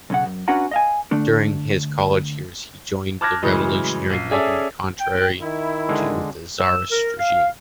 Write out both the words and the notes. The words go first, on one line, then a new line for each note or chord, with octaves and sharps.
During his college years he joined the revolutionary movement contrary to the tsarist regime.
B1 C#3 F#5
F#2
C#4 D4 F#4 B4 F#5 A#5
D#5 F5 G#5
D3 A3 D4
A5 D6 F6 F#6 G#6 A#6
A2 C#3 E3 F#3 G#3
A#1 C7
C#4 G#4 A4 D5 E5
G5
D#3 E4
D3 G#3
E6
A#4
F5